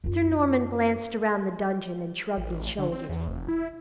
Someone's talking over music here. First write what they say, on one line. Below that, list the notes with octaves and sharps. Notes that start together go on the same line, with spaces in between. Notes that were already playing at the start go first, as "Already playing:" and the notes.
Sir Norman glanced round the dungeon and shrugged his shoulders.
F#2 F4
A1
D3
C4
E2
F1
E4